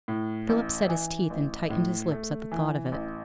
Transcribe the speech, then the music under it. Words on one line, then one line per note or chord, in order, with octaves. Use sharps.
Philip set his teeth and tightened his lips at the thought of it.
A2
A1
E3
A1
A2
A3
E3
A1